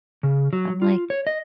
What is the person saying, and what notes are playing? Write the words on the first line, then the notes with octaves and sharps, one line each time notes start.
I'm like,
C#3
F#3
F4
C#5
D#5